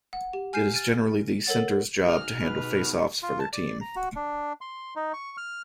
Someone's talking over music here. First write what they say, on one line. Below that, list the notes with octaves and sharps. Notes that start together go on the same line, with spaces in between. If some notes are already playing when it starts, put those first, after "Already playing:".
It is generally the centre's job to handle faceoffs for their team.
F#5
G4
G#5 F6 G6 C7 D#7 E7
F6 A6 D7 D#7
A4 A#4 C#5 F#5 A6
D#4 F#4 G#4 F6
B2 B4
F4
A5
D5
A#5
F#4
D4
C6
D#4
C#6
F6